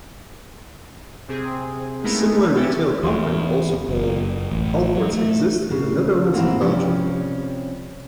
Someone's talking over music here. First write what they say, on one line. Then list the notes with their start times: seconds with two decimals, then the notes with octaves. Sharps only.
A similar retail company also called Halfords exists in the Netherlands and Belgium.
1.28 C3 C4 G#4
2.04 G#3 A3 B3 D#4 E4 A#4
2.42 E3
2.54 B3 C#4 G4 E5 A6
3.03 E2
3.89 F#1
4.51 A1
4.95 F#3
5.13 A3
5.71 C#3
6.33 G#2 E3 A#3 C4 E4
6.61 C3 F3 G3 C#4